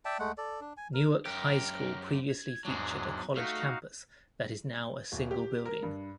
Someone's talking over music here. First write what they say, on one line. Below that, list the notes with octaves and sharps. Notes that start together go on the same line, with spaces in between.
Newark High School previously featured a college campus that is now a single building.
D5 E5 G5 A5
G#3 A3 F#5
A4 D5
D4
G#5
A#4
F#2 G4 A#4
G#6
E2 G#2 F#3 D4 G#4
A3 D#4 F#4 F5
D#1
G4
A#4
G2